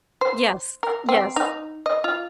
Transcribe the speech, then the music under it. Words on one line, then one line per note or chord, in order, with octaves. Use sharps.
Yes, yes.
C5
A#4
C4
D#4
D#5
F4